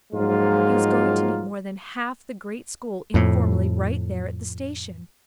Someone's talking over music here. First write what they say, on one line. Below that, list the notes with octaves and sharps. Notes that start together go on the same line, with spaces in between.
He was going to meet more than half the great school informally right there at the station.
G#2 F3 F#3 G#3 A#3 F4
F2 A2